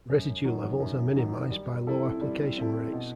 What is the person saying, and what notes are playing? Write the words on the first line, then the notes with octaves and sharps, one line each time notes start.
Residue levels are minimized by low application rates.
F#2
D#3 F#3
F#2
D#3 F#3
G3
C4 E4 A4
G3
C4 E4 A4
B2